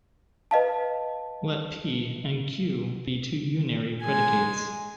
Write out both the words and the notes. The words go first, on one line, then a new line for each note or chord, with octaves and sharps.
Let "p" and "q" be two unary predicates.
B4 D#5 F5 A5
G#3 G#5